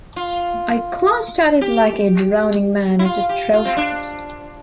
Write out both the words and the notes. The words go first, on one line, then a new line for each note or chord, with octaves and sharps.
I clutched at it like a drowning man at a straw hat.
F4
G4
E4
F4
G4
F4
C4
D4